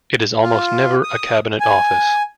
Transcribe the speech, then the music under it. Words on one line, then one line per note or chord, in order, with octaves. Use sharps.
It is almost never a Cabinet office.
F4
D#6
G#5